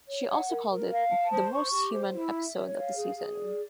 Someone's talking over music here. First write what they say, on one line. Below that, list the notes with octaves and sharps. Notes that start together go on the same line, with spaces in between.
She also called it the "most human" episode of the season.
C#5
F#5
A#4
A#4
F5
A5
C5
C#6
G4
C5
E4
E5
C#5
F5
G#4
G#4
D5